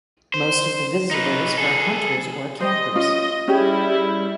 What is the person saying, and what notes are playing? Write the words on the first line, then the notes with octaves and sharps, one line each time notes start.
Most of the visitors were hunters or campers.
C5
D#4 B4
G#4 A4
C5 D#5
C#4 F4 D#5
G3 C#4 E4 G4 G#4